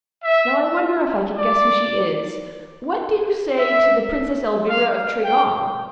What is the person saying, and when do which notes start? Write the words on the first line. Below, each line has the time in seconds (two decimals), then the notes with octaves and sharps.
Now I wonder if I can guess who she is. What do you say to the Princess Elvira of Tregong?
0.24 E5
1.35 D5
3.59 E5
4.69 F5
5.25 G5